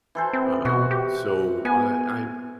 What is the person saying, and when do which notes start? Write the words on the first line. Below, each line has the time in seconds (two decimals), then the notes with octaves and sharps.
um, so, I I
0.15 E3 A4 C5
0.33 C4
0.65 B2 F#4
0.91 G4
1.65 B3 G#5